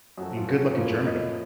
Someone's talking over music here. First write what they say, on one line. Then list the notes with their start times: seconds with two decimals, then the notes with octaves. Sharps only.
And good luck in Germany.
0.18 F#2 F3 A3 F#4
0.37 F4
0.48 F#4
0.76 A2 F3 A#3 F4
1.05 D#5